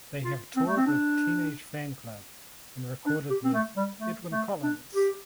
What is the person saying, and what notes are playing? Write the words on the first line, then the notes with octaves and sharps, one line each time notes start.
They have toured with Teenage Fanclub and recorded with Edwyn Collins.
F4
C4
A3
C4
D4
D4
G4
C4
A3
G3
A3
A3
D4
G4